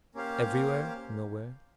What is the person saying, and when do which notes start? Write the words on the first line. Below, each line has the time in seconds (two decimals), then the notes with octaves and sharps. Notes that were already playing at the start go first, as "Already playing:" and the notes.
"Everywhere; nowhere."
0.15 A#3 C#4 G4 C5 F5